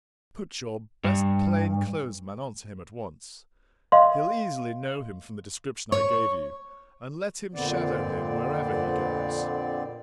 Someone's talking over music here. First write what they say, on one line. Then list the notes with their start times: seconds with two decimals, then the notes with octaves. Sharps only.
Put your best plainclothes man on to him at once--he'll easily know him from the description I gave you--and let him shadow him wherever he goes.
1.04 G2
3.92 D#5 F5 C6
5.92 C#5 C#6
7.55 F2 A#2 D3 B3 C4 D5